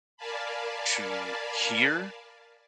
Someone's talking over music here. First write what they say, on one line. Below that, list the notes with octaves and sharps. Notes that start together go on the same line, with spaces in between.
to hear
A#4 D5 F5 G#5 A5 B5